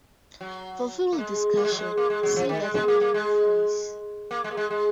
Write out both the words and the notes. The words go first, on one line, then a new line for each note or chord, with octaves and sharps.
For full discussion, see Determiner phrase.
F#3
A#3
G#3
A#3
G#3
F#3
G#3
A#3
G#3
F#3
F3
D#3
G#3
G#3
A#3
A#3
G#3
A#3
G#3
A#3
G#3
G#3